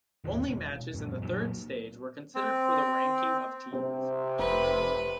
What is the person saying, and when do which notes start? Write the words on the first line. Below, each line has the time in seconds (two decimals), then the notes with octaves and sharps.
Only matches in the third stage were considered for the ranking of teams.
0.24 D#2 A2 D3 D#3
0.42 E1
0.94 F#2 A#2
1.22 A#2 F#3
2.35 C4
3.73 C3 C4
4.39 F1 B4